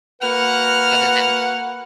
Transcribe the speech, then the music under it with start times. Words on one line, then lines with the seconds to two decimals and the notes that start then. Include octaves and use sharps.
Rather than
0.22 A#3 F#4 B4 F#5 F6